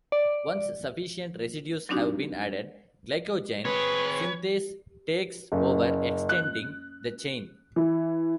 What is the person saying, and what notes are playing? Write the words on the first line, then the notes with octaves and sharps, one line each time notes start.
Once sufficient residues have been added, glycogen synthase takes over extending the chain.
D5
F#3 C4 D4 D#4 F#4 G4
C4 G#4 B4 C#5
F#1
F#6
E3